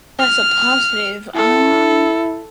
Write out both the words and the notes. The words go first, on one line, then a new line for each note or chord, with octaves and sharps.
That's a positive. Um
F6
E4 A4